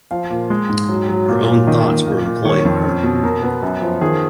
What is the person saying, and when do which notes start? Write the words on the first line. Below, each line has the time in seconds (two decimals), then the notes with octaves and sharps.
Her own thoughts were employing her.
0.11 F3 F5
0.30 A#2
0.50 G#3
0.69 G#2
0.89 F#3
1.09 F#3
1.28 A#2
1.48 A#2
1.67 D#3 D#5
1.87 D#3
2.06 A#2
2.25 A#2
2.45 D#3 C#5
2.65 F2
2.84 C#4
3.03 B2
3.23 B2 A#4
3.43 B3
3.62 F#2
3.82 F3
4.01 D#3 G#4